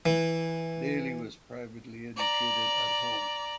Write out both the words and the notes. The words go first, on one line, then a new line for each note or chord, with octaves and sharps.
Daly was privately educated at home.
E3
D5 A#5